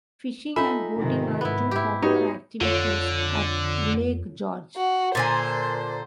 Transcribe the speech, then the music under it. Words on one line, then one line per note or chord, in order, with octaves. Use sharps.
Fishing and boating are two popular activities at Lake George.
D#4 F4 A4 E5 G#5 B5
G#2 C3 D#3
G#2 B3 E4
E4 G4
D#4 F#4 G4 B4 C#5
F2 D3 F4 A4 C#5
F#4
A#2 D3 C5 G#5